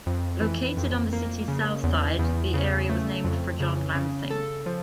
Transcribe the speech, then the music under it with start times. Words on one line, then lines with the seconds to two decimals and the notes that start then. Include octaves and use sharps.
Located on the city's south side, the area was named for John Lansing.
0.06 F2
0.41 E3
0.77 F2
1.13 A#3
1.48 C#3
1.83 E2
2.19 E2
2.54 C#3
2.89 A3
3.24 F2
3.60 C#3
3.95 C#3
4.30 A4
4.66 F3